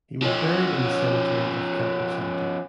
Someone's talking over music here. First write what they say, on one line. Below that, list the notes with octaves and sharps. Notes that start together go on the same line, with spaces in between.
He was buried in the Cemetery of Campo Santo.
F3 C#4